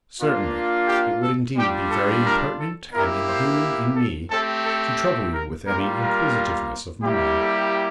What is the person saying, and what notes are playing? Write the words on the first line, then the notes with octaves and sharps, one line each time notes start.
"Certainly; it would indeed be very impertinent and inhuman in me to trouble you with any inquisitiveness of mine."
A#3 D4 F4
G4
A4
G3 D4 F4 G4
A4
A#4
A4
A#3 E4 G4 A#4
C5
A4
A3 C4 G4 A4
A4
A#4
G3 A#3 F4 A#4
A#4
G3 A#3 E4 G4
A4